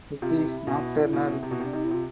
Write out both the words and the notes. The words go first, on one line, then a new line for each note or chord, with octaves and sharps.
It is nocturnal.
C3 F4
E4
D#4
E4
B2
B2
C3
B2
C3
D4
C3 D#4
E4
C3 F4